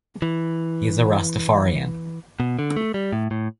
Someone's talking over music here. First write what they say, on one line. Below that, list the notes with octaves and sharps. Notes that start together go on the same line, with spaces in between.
He is a Rastafarian.
E3
B2
D3
A3
G3
A2
A2